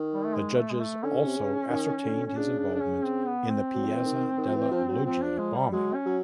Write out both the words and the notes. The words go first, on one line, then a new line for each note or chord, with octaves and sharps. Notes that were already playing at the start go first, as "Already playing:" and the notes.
The judges also ascertained his involvement in the Piazza Della Loggia bombing.
Already playing: D#3
G3
A3
G#3
A3
G#3
A3
D3 C#4
C3
C#3
D#3
D3
C#4
C#3 D4
D4
D4
C#4
C4
B3
C4
F#3
F3
E3
D#3
D#3
F3
E3
F3
F#3
F3 C4
D4
G#3
G3
F#3 G#3
C#4
F#3